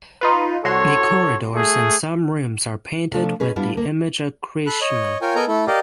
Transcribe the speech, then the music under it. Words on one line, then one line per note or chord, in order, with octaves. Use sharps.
The corridors and some rooms are painted with the image of Krishna.
D#4 F4 B4
C2 F#4 A4 C#5 C6
A3 G#4
C3 F3 A3 D4
C#4 D#4 G#4 B4
G3 B3 D4 E4 F4
D2 A#3
A4 B5 F#6
C#5 D#5
F4 A#4 C#5 G5 G#5
B3 A4 A#4 D#5 G#5 A#5
A3 E4 A4
G4 A#4 D5 D#5 F5